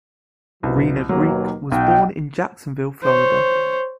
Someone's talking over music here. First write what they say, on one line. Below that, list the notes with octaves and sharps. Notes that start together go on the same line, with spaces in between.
Rena Greek was born in Jacksonville, Florida.
C2 B2 F3 F#3
D#2 B2 F#3 A#3
B1 D#5 F#5 G5
C5 C#5